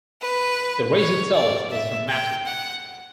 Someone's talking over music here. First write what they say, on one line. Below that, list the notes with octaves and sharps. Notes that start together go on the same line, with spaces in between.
The race itself was dramatic.
B4
C#5
D5
E5
G5
F#5